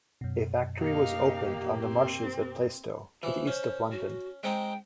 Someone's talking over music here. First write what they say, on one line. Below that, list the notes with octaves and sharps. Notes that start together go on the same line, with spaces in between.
A factory was opened on the marshes at Plaistow, to the east of London.
F#2 B2
A#3 D#4 G4 F5
C4
E3 F3
C#4 C5
F#4
G#3 C4 D#4 G5